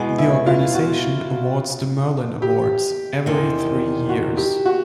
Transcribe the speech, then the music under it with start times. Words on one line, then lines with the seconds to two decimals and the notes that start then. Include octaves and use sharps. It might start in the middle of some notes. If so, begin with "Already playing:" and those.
The organization awards the Merlin Awards, every three years.
Already playing: E2 B2 G#3 B3
0.19 E4
0.46 F4
0.75 F#4
2.42 G4
3.26 E2 C3 D#3
4.09 F#4
4.37 G4
4.66 F#4